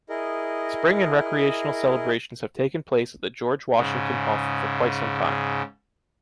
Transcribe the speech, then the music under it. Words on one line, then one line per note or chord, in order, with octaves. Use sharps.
Spring and recreational celebrations have taken place at the George-Washington-Hof for quite some time.
E4 G#4 A#4 D#5
G#2 C#3